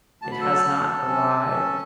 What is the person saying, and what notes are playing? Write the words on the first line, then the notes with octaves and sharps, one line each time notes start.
It has not arrived.
D2 A5
B5
F#3 A4 A5
D2
F#3
C#4
C#4
C#4